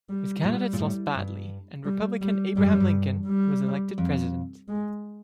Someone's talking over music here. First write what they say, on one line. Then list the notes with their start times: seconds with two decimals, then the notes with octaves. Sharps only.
His candidates lost badly, and Republican Abraham Lincoln was elected president.
0.09 G3
0.44 A#2 G3
0.73 A#2
0.79 A2
1.14 G2
1.85 G3
2.22 G3
2.56 G#2 G3
2.64 G2
2.72 F#2
2.80 G2
3.27 G3
3.98 F2
4.68 G#3